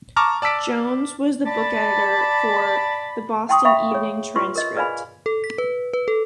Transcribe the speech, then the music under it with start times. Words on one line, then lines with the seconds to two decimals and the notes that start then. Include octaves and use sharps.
Jones was the book editor for "The Boston Evening Transcript".
0.16 A5 A#5 C#6 D6 F6
0.42 D5 A5 E6 B6 D7
1.46 D5 A5 B5
3.49 F#5 G5 A5 C6 C#6 D#6
3.65 E5 F5 G5 B5 C#6
3.91 G#4 C#5
4.36 F4 B4 C6 C#6
4.55 A#4 D#5
4.76 G#4 B4 D5 F5 G#5 B5
5.26 A4
5.44 B6
5.58 B4
5.93 B4
6.08 A4